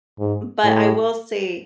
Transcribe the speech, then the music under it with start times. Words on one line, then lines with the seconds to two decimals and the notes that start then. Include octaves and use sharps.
m but I will say
0.19 G#2
0.64 A2